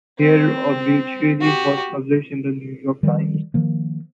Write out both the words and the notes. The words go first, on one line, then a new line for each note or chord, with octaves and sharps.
Her obituary was published in the New York Times.
C4
F#4 G4
D#3 F3 G3
D#3 F3 A#3